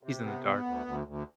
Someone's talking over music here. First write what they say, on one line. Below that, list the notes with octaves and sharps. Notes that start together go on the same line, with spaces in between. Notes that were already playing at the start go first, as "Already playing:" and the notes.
He's in the dark, yeah.
C3
B3
B3
D2
D2
D2